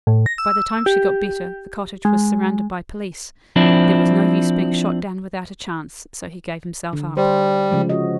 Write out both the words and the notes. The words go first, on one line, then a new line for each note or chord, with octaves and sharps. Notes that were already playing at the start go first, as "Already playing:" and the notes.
By the time she got better the cottage was surrounded by police; there was no use being shot down without a chance, so he gave himself up.
A2
A#6
E6
G4
G#3
F3 C4 D4 E4
D3
G3 C5
C#3 F3 G#3
F#4 C#5 D#5